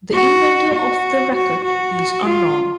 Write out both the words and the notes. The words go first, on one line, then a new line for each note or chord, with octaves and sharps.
The inventor of the rackett is unknown.
F#4
F#4
F#4
F#4
F4